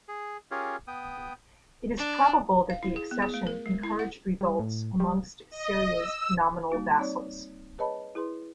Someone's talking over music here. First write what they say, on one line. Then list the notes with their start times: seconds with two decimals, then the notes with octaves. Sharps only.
It is probable that the accession encouraged revolts amongst Assyria's nominal vassals.
0.08 G#4
0.51 C#4 F4 G4 G#4 A#4 C#5
0.87 B3 G5 D#6
1.97 D4
2.70 F5
2.83 E4
2.96 G#4
3.11 B3
3.22 G#4
3.34 A3
3.47 A#4
3.66 G#3
3.83 E4
3.99 F#5
4.41 G3
4.59 A2
5.00 G3
5.50 D#5
5.95 E6
6.70 G3 A#3 D#4 F#4
6.98 C4 D#4 C#5 D5
7.79 G#4 B4 C#5 D#5 A5 B5
8.15 E4 G#4 B4 C6